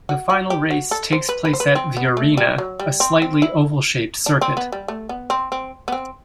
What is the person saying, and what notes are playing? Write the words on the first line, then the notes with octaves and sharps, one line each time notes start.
The final race takes place at "The Arena", a slightly oval-shaped circuit.
F#4
F#4
G4
F#4
A4
C5
B4
B4
C5
B4
C4
B3
A3
G3
F#3
G3
C4
C4
E4
D4
C4
B3
G3
A3
B3
C4
C4
B3
C4